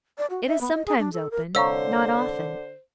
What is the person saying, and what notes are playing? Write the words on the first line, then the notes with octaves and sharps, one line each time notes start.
It is sometimes open--not often.
D5
F#4
E5
B3
D#5
G#4
D4
A4
A#4
C2 D3 C5 C#5 F5 A#5 E6